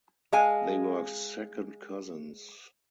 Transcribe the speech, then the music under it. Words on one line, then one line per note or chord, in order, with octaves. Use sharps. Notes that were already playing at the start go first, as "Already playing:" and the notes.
They were second cousins.
G#3 F5 G#5